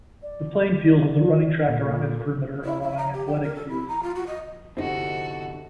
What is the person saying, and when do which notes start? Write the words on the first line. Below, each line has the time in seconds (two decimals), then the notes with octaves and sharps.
The playing field has a running track around its perimeter allowing athletics use.
0.23 D5
1.69 A#2 A4
2.64 E4
2.81 E5
2.97 A#5
3.13 G4
3.27 G5
3.43 A#4
3.55 A4
3.69 E4
3.88 A#5
4.02 F4
4.15 F#4
4.26 D#5
4.77 G1 C3 C4 D#4 E4 F#4 A4